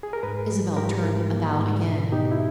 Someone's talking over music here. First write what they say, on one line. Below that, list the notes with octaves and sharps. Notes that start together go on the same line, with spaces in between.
Isabel turned about again.
G#4
A#4
G#2 G#4 B4
G3
G#2 G4 A#4
G#2
A#3
G#2
B2
B2 D#4 G4
E4